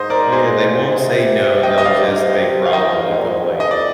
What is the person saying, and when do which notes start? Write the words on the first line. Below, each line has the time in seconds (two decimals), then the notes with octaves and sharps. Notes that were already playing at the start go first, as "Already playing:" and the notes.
Yeah, they won't say no, they'll just they grovel and complain.
Already playing: G#2 C5 D#5
0.10 A#4 D5
0.32 G#4 C5
0.54 G#2
0.67 G2
0.80 G#2
0.97 C3
1.63 D#5 G5
1.78 D#5
1.85 C3 D5 F5
2.00 G#2
2.15 C3
2.66 F5
2.73 D#3 D#5 G5
2.85 F3
2.95 G2
3.06 G#2
3.17 A#2
3.28 G#2
3.38 F2
3.49 G2
3.60 F2 D#5
3.71 D5